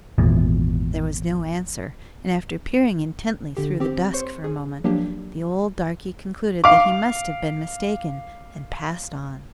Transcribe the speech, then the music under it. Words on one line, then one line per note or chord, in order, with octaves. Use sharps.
There was no answer, and, after peering intently through the dusk for a moment, the old darkey concluded that he must have been mistaken, and passed on.
G#1 E2 A#2
D3 G4
C4 G4
C5 C#5 C6 C#6
G#4
F3 F#3 A#3 D4 G4
F5 D6